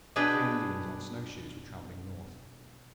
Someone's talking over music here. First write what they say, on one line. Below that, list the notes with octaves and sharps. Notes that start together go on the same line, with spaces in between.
Three Indians on snow-shoes were traveling north.
B2 D4 G#4 B4 G5